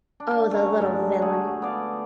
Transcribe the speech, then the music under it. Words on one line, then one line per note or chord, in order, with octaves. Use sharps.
Oh, the little villain!
D4
A3 C#4 A#5 C#6
G2 D3 G#3
A3 F#4 G#4
B3 D5 F5